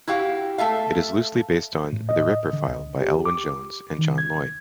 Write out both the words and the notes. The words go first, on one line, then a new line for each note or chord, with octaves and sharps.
It is loosely based on "The Ripper File" by Elwyn Jones and John Lloyd.
E4 F#4 G4 F5
A3 A4 E5 F5
A2
D#5
D3
C#2
G4
D6
D#3
G#6